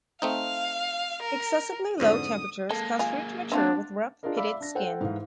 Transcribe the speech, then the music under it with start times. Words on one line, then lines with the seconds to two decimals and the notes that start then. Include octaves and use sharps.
Excessively low temperatures cause fruit to mature with rough, pitted skin.
0.22 A3 C4 D#4 F5
1.22 A#4
2.00 F2 G#2 D3 D#6
2.70 G#3 A#3 A4
2.99 F4 G#4
3.52 C4 D4 F4 F#4
4.23 D4 F4 G#4 A#4 D#5
4.37 D5 E5 F5 B5 D6 E6
4.61 D4 A#6
4.75 A4 C5 F#5 G5
5.01 G#2 E3 F5